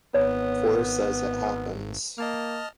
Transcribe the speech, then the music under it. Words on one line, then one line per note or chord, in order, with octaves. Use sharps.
Forrest says "it happens".
G#1 B3 C#5
A#3 D#5 A5 F6